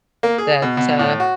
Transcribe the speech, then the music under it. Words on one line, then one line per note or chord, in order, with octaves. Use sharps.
that, uh,
A#3
G#4
B2
B2
A2
F#4